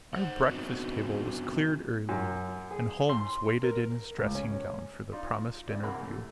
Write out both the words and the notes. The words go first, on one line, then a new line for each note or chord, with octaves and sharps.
Our breakfast table was cleared early, and Holmes waited in his dressing-gown for the promised interview.
C5 F#5
B3 C4 D4 D#4 F#4
F#2
G#4
C6
A#4
C#2
C#4
D#4 F4 D5 C6
C#2 G2 E4 D5
F#2 C3 E3 A#3 A#4 B5
A3